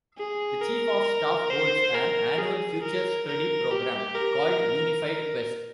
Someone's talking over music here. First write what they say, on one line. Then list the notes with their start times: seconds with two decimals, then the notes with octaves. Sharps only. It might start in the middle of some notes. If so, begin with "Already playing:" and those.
The Chief of Staff holds an annual future study program called Unified Quest.
0.18 G#4
0.62 A#4
1.50 C5
1.95 A#4
2.38 G#4
2.83 A#4
3.28 A#4
3.71 G4
4.16 A#4
5.04 A#4